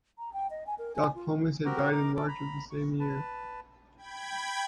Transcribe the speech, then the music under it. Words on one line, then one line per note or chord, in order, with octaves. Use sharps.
Doc Pomus had died in March of the same year.
A#5
G5
D#5
G#5
A#4
G#5
F4
C4 F#4 G4 A#4
D#4 A#4 A#5 D6
C#4 A4 D6
A#5 B5
C#6
B4 A5
G5 B5 G#6